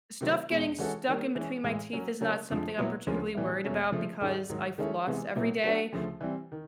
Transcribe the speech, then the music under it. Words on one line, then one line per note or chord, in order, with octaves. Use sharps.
stuff getting stuck in between my teeth is not something I'm particularly worried about because I floss every day
C3 D#3 F#3 A3 C4
E2 B2 G#3
E3 G#3 C#4 F#4 A4
D#3 G3 A#3
E3 G#3 C#4
A2 E3 G#3
F#3 A#3 C#4
C#3 F#3 A#3 C#4
F2 D3 F3 G#3
A#2 F#3 B3 E4
D2 C#3 F3 A#3 C#4
A2 E3 G3 B3 E4
E2 B2 F#3 A3 C#4
C#3 F3 A3
G#2 D#3 G#3 C#4
G#2 D#3 F#3
D#3 G#3 C#4 E4 A4
C3 E3 G#3 B3
A#2 F#3 B3 E4
F#3 B3 D4 F#4 A4
D2 C#3 F3 A3
E3 G3 C4
D#3